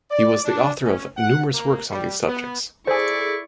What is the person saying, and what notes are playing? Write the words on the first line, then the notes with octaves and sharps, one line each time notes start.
He was the author of numerous works on these subjects.
D5
D4
C#4
F#5
A#3
G3
B3
E4 G#4 A4 C5 D5 C#6